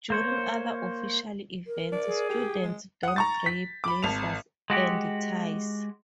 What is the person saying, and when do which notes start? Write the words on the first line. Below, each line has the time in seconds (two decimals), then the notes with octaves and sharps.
During other official events, students don grey blazers and ties.
0.10 A#3 C5 C#5
1.67 A#4
1.92 D5
2.05 G#4
2.29 G4
2.62 G#3
3.03 F#5 D#6
3.16 A#5 C#6 A6
3.46 B6
3.84 B5 D6
4.03 G#1 A5 F7
4.70 G#3 F#4 G4